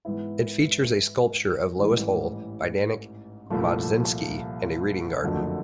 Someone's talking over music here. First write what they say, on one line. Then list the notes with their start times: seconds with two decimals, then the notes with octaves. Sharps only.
It features a sculpture of Lois Hole by Danek Mozdzenski and a reading garden.
0.05 G#2 E3 G#3 B3 E4
1.78 A1 G#2 E3 G3
3.50 C2 A#2 F3 A3
5.23 F#1 F2 D3 F#3 A3